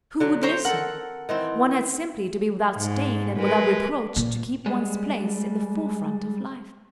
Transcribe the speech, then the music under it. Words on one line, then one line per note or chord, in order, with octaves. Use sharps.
Who would listen? One had simply to be without stain and without reproach to keep one's place in the forefront of life.
D3 F#3
C4 C5 C#5 A#5
A4 A#4 F#5
D#3 E3 C4
G#2
G#3 A#4 B4
A#2
G3 G#3